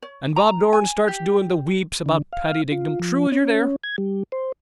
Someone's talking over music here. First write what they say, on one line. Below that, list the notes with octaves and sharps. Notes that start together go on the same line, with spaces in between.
And Bob Doran starts doing the weeps about Paddy Dignam, true as you're there.
C#5
A#5
G#5
G4
D3
F5
F4
F3
C#4
G#6
G3
C5